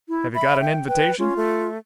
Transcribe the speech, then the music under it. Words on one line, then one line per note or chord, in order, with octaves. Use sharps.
"Have you got an invitation?"
E4
E5 B5
G5
B4 G5
C#4 F4
A3